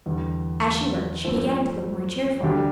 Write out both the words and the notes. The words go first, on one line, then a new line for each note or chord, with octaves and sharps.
As she worked she began to look more cheerful.
E2 D3 G3
G2 F3 A3 C4
D2 D3 G3 D4 G4